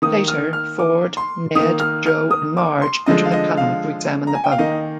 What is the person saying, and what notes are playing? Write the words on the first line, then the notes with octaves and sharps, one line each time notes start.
Later, Ford, Ned, Joe and Marge enter the tunnel to examine the bug.
D#3 A#3 D#6
F6
F6
D6
C6
D#3 A#3 D#6
F6
F6
D#6
D6
C6
D3 F3 G#3 D#5
F5
D#5
F5
A#5
G#5
G5
F5
D#3 A#3 D#5